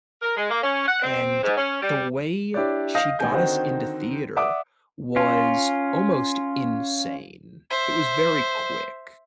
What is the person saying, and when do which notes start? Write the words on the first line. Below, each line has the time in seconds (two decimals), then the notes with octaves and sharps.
and the way she got us into theater was almost insane. It was very quick.
0.22 A#4
0.37 G#3
0.50 A#3
0.62 C#4
0.87 F#5
1.02 C4
1.43 G#2
1.56 C#4
1.82 G3
2.54 D4 E4 G4 C#5 D5
2.95 D#5 F5 D#6 G6 A#6
3.19 A1 D#3 G#5 G6
3.32 D3 D#3 C4 D#4 F#4 C5
4.36 D5 E5 F#5 D6 D#6
5.16 C#4 F4
7.70 C5 E5